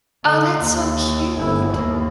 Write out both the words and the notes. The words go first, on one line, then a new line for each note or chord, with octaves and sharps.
Oh, that's so cute.
D3
D#2
G1 E4
D#2 A#3